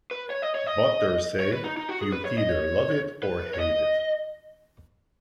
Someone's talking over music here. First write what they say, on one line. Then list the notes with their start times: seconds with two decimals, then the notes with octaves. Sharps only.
Butters said, You either love it or hate it.
0.11 B4
0.30 C#5
0.42 D#5
0.55 C#5
0.66 D#5
1.40 C#5
1.53 B4
1.65 D#4
1.77 D#4
1.89 F#4
2.01 G#4
2.12 B4
2.25 C#5
2.38 D#5
2.49 C#5
3.23 B4
3.54 C#5
3.60 D#5